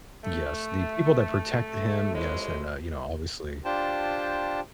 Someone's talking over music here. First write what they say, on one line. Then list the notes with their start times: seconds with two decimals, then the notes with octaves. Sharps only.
Yes, the people that protected him Yes, and, uh, you know, obviously
0.23 A3
2.14 C2 F2 A2 G#3
3.65 D4 F4 G4 C5 G5 A5